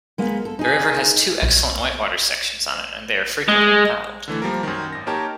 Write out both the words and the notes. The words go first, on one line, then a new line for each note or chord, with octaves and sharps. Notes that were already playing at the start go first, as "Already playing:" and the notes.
The river has two excellent whitewater sections on it, and they are frequently paddled.
G#3 A#3 B3
A4
D#4 G#4
B1 C#5
G#3
D3 E3 A3
F3 G3 A#3 A#4
F#2 D#3
G#1 A#6
A#3 D#4 G4 A#4 C#5 A5